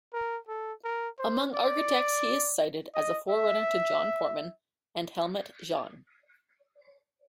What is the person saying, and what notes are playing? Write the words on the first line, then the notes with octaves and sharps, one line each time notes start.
Among architects he is cited as a forerunner to John Portman and Helmut Jahn.
A#4
A4
A#4
C5
D5
D#5
E5